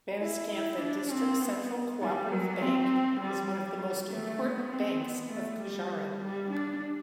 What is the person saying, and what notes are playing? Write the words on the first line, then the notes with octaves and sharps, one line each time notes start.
Banaskantha District Central Co-operative Bank is one of the most important banks of Gujarat.
E4
E4
D4
C4
B3
G3
F#3
C4
G3
G3
A3
B3
C4
B3
A3
G3
G3
D4